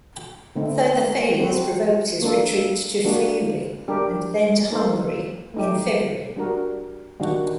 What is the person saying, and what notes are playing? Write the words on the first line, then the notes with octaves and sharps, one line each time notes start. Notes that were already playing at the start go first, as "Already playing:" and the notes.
Further failures provoked his retreat to Friuli, and then to Hungary, in February.
D3 A3 C4 D#4
F#3 C4 F#4
A#3 D4 A4
G3 A#3 D4 F#4
G3 D4 G4 A#4
A#3 D#4 A4 C5
A3 D#4 G4
G3 D4 F#4 A#4
D#3 G3 D4 F#4